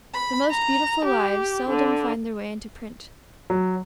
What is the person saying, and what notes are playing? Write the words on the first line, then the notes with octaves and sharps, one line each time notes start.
The most beautiful lives seldom find their way into print.
B5
A#5
G4
D3
F#3